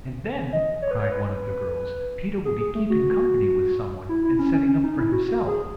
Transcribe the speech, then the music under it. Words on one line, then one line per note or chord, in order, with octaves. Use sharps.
"And then," cried one of the girls, "Peter will be keeping company with some one, and setting up for himself."
D#5
C#5
B4
C#5
B4
G#4
G#4
A3
F#4
E4
E4
C#4
C#4
C#4
D#4
E4
F#4
F#4
G#4